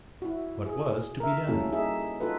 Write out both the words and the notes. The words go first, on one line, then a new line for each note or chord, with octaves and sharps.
What was to be done?
E4 F#4
G#4
A#4 E5
G3 A#3 C#4 E4 F#4 A4
D#4 G#4 E5
D#4 F4 F#4 A4 B4